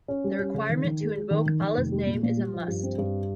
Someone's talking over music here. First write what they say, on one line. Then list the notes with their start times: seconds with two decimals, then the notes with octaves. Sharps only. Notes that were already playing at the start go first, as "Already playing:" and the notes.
The requirement to invoke Allah's name is a must.
0.08 C#4
0.24 G3
0.39 C#4
0.54 C#3
0.69 D#3
0.84 D#3
1.00 G#3
1.15 G#3
1.31 D#3
1.46 D#3
1.61 D#3
1.77 F1
1.92 G3
2.07 A#2
2.23 A#2
2.37 G3
2.54 F3
2.68 G2
2.83 C4
2.98 G2